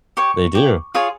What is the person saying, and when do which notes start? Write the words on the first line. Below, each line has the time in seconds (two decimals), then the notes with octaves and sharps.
They do.
0.17 G4 C#5 C#6
0.55 G4 C#5
0.94 F4 G#4 C#5